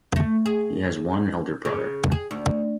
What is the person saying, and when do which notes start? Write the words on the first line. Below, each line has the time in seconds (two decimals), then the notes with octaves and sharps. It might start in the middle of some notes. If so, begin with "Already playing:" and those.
He has one elder brother.
0.16 A3
0.46 G#4
1.65 C#3
2.12 G#4
2.31 D2